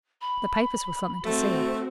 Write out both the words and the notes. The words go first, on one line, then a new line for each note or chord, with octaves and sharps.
The papers were something to see.
B5
A3 C4 F#4